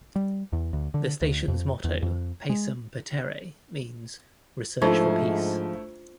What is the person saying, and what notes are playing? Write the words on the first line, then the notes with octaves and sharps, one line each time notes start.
The station's motto "Pacem Petere" means "Research For Peace".
G3
E2
D2
D3
D2
F2
E2
F2
G#3
G#2 F3 A3 D4 E4 F4 C5